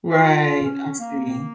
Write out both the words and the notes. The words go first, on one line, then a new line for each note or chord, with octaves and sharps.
Right, I see.
F4
F4
C#4
A#3